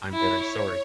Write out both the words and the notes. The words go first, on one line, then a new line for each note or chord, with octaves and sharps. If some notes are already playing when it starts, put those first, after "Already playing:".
I’m very sorry.
E4 C#5